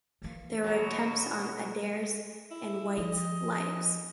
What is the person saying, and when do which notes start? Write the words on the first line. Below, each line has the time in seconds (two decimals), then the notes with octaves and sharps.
There were attempts on Adair's and White's lives.
0.22 E3 A#3
0.64 B2 F#3
2.51 E4
2.98 F3 D#5